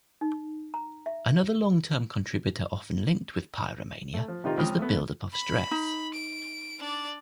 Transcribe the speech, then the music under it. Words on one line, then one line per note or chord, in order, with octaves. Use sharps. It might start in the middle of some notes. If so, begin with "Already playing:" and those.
Another long term contributor often linked with pyromania is the buildup of stress.
D#4
A#5
E5
A3
F3
C3 D#3 D#4 F4 G4
C#2 F3 C4 G5 D#6 F6
A3 B3
B5
D#4
D7
D4 D5